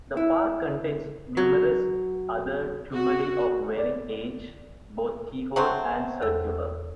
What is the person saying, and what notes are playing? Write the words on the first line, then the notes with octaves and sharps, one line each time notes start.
The park contains numerous other tumuli of varying age, both keyhole and circular.
E4
F#3
F#4
D5
F#3 A3 C4
E2 A4 E6